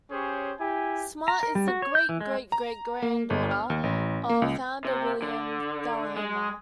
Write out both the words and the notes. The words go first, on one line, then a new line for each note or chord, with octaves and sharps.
Smartt is the great-great-great-granddaughter of founder William Thalhimer.
C#4 G4 G#4 C5 C#5
E4 G4 G#5
A#5
A#4
G3
F#4
C#5
G6
E3
G#3
A#5
A#3
G1
F6
D#2
A1
A#3
C#2
C3
D3
G#3